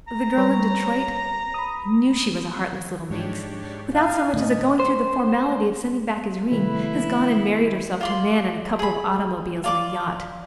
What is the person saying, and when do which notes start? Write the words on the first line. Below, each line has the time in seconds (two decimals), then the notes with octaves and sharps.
The girl in Detroit,--I knew she was a heartless little minx,--without so much as going through the formality of sending back his ring, has gone and married herself to a man and a couple of automobiles and a yacht.
0.08 A#5
0.37 G3 B4 C#5
1.54 B5 D#6
3.10 G#2 D4 G4 C#5
3.95 F5 G#5
4.33 A2 D3 A3 D#5
4.80 C5
6.52 C3 D#3 F3 G3 A3 E4 B4
8.01 F4 D5 C6
8.79 G#4 B5
9.64 F4 D5 D6